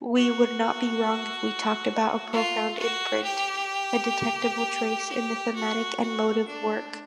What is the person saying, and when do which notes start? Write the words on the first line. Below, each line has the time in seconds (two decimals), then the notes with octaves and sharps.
We would not be wrong if we talked about a profound imprint, a detectable trace in the thematic and motive work.
0.16 F#4
2.32 F4
2.77 F#4
3.24 G4
5.09 G4
5.55 F#4
6.01 F#4
6.47 D4